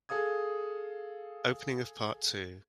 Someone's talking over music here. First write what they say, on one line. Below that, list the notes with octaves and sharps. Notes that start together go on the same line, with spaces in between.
Opening of Part Two.
G#4 A4 F5 D#6 G#6